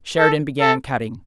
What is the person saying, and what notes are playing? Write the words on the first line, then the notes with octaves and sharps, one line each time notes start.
Sheridan began cutting.
A4
A4